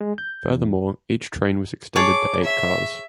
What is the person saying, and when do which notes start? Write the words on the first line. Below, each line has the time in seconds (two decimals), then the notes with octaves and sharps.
Furthermore, each train was extended to eight cars.
0.01 G#3
0.18 G6
0.50 E2
1.96 G#4 C#5 A5 D6
2.44 E5